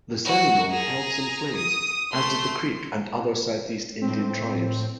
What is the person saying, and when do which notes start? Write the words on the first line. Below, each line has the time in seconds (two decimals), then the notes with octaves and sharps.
The Seminole held some slaves, as did the Creek and other Southeast Indian tribes.
0.25 F#4
0.70 G#4 A#5
1.56 D#6
2.12 A3 C6
4.01 A2 C4